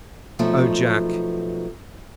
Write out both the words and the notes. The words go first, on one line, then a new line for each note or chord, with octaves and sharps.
"Oh, Jack!"
F#2 B2 F3 A3 D#4